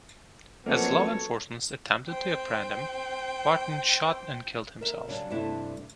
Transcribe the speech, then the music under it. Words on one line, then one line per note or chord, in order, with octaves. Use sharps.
As law enforcement attempted to apprehend him, Barton shot and killed himself.
F2 F#3 A#3 B3 C#4 A4 C#5
C4 G5
A#4 E5
C#3 F#3 G3 D4
G2 C3 A3 D4 E4